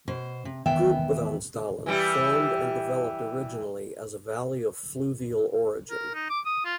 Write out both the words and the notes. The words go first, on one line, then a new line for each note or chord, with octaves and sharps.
Gudbrandsdalen formed and developed originally as a valley of fluvial origin.
B2 C5
C3
E2 D#3 G#3 B3 E5 G5
E3 G3 E4
A#4
D#4
D6
D#6
F4